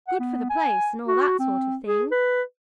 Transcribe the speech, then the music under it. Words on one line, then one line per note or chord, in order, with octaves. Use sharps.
"Good for the place--and all that sort of thing."
F#5
B3
G#5
F#4
C4
G#4
B4